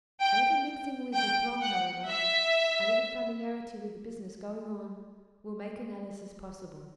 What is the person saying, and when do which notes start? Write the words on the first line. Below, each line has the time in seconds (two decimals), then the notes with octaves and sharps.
A little mixing with the throng, however, a little familiarity with the business going on, will make analysis possible.
0.20 G5
1.14 G5
1.61 F#5
2.08 E5